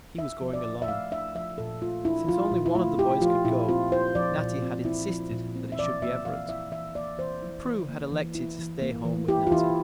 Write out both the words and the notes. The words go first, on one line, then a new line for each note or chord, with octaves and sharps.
He was going alone. Since only one of the boys could go, Natty had insisted that it should be Everett, and Prue had elected to stay home with Natty.
D4 E5
F3
D5
A#2
E5
A3 F5
D4 E5
F3 E5
A#2 A4
A3 F4
D4 E4
F3 F4
A#2
E4
A3 F4
E4 G4
F3 F4
A#2 E4
C4 F4
E4 C5
F3 D5
A#2
C4
E4
F3
A#2
C4
E5
E3 D5
A#3 E5
E3 F5
E4 E5
E3 E5
A#3 D5
E3 C5
E4
E3
A#3
E3
E4
E3
A#3
E3
E4 G4
F4
E3 E4